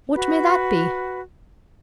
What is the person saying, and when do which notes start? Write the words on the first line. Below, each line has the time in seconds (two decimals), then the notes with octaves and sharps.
"What may that be?"
0.14 F#4 B4